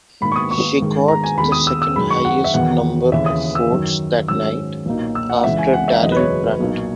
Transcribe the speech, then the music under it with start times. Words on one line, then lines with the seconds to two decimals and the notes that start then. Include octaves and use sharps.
She got the second-highest number of votes that night, after Daryl Brunt.
0.21 G#2 D#3 A#3 D#4 B5
0.32 C#6
0.36 D#6
0.51 C#6
0.80 G#1 G#2 D#3 G#3
1.08 A#5
1.24 G#5
1.37 D#2 D#3 G#3 B3 B5
1.52 D#6
1.67 E6
1.82 E6
1.96 F#2 D#3 G#3 B5
2.10 C#6
2.25 F#5
2.44 E5
2.54 E2 D#3 F#3 B3 D#4 F#5
3.12 D#2 C#3 E3 E5
3.26 D#6
3.55 E6
3.70 F#2 D#3 F#3
4.28 G#2 D#3 F#3 C#4 E6
4.86 B1 A#2 F#3 A#3 D#4
5.15 E6
5.30 F#5
5.44 C#2 C#3 E3 E5
5.58 G#5
5.73 F#5
5.88 E5
6.02 F#1 E2 B2 G#3 D#4 D#5
6.12 B4
6.16 C#5
6.60 B1 A#2 A#3 D#4